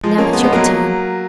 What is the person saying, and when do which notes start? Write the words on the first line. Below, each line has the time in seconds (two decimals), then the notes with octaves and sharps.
Now it's your turn.
0.03 F3 G#3
0.18 A#3 C#4
0.33 G#3 B3
0.43 G#3 B3
0.53 F#3 A#3